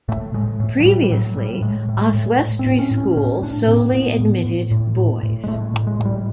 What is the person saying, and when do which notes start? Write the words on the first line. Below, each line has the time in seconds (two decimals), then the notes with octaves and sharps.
Previously, Oswestry School solely admitted boys.
0.08 A2 A3
0.34 A2 G#3
0.60 A2
0.80 F#3
0.85 A2 G3
1.04 G3
1.11 A2 F#3
1.37 A2 G3
1.62 A2 G#3
1.89 A2
2.01 G#3
2.14 A2
2.40 A2
2.59 C4
2.66 A2
2.71 C4
2.79 C#4
2.91 A2
2.98 C#4
3.17 A2 C#4
3.43 A2 D4
3.68 A2 C4
3.94 A2 B3
4.20 A2
4.45 A2
4.71 A2
4.97 A2
5.23 A2
5.44 G#3
5.48 A2 A3
5.74 A2
5.87 G#3
5.99 A2
6.05 G3